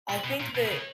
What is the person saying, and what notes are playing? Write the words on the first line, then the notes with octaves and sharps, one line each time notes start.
I think that
A#2
B2
A#2
B2
C#3